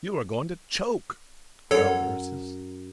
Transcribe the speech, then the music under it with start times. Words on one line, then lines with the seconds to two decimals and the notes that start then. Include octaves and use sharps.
"You are going to choke!" growled Ursus.
1.71 F#2 A4 C#5